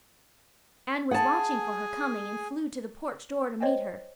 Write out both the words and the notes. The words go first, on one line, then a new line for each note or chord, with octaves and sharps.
Anne was watching for her coming and flew to the porch door to meet her.
G#4 F#5 G#5 A5
C5 C#5 D#5 G5 G#5